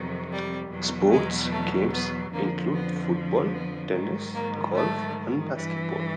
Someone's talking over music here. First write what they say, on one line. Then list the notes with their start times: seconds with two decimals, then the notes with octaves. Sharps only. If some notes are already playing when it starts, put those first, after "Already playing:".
Sports games include Football, Tennis, Golf and Basketball.
Already playing: F2 C3 D#3 F#3
0.30 G3
0.70 E2 B2 F#3
1.10 G#3
1.51 A3
1.92 B3
2.31 F2 D3 F3 A#3
2.71 B3
3.52 B3
3.93 G#2 D#3 F#3
4.33 A#3
4.74 A3
5.54 G2 E3